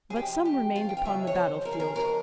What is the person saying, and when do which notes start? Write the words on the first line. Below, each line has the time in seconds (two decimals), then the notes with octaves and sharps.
But some remained upon the battlefield.
0.10 G#4
0.14 C3 F3 G#3 G4
0.45 G4
0.76 F4
0.89 G5
0.97 F5
1.05 C#3 F3 G#3 E5
1.27 C#5
1.35 C5
1.65 A#4
1.72 G#4
1.80 A#4
1.95 C#3 F3 G#3 A#4